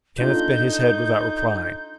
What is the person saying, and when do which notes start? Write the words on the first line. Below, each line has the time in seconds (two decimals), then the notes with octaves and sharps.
Kenneth bent his head without replying.
0.18 D4 D#4 F4 A4 G6